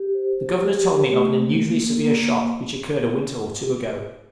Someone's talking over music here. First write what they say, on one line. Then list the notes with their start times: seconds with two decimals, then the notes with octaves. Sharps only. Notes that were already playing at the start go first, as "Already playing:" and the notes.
The Governor told me of an unusually severe shock which occurred a winter or two ago.
Already playing: G4
0.14 C5
0.46 G4
0.77 G4
1.09 A3
1.40 A#3
1.71 A#3
2.03 A#3